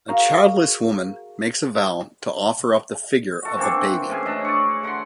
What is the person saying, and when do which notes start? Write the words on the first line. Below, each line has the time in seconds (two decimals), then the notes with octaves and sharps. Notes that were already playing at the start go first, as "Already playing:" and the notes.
A childless woman makes a vow to offer up the figure of a baby.
0.08 F#4 G#4 A#4 F5 A#5 C#6
3.42 F#4 A4
3.57 E3 A#3 C4 D4
4.10 A2 C#4 G#4
4.26 D4 D#5 E5
4.45 D5 C#6
4.83 D3 F#5 B5 C6